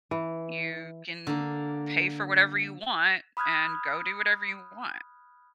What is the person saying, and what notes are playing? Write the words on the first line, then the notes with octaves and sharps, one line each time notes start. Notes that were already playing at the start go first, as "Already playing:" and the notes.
you can pay for whatever you want and go do whatever you want.
E3
D3 A#3
B5 D#6 F6 F#6 G#6